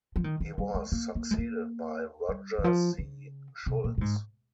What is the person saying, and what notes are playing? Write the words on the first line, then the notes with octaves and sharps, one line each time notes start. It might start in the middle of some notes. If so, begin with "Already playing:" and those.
He was succeeded by Roger C. Schultz.
F3
D#3
D#3
G3
G#3
A#3
A#3
G#3
A#3
G3
D#3
F3
C#3
C3
A#2
A#2
G#2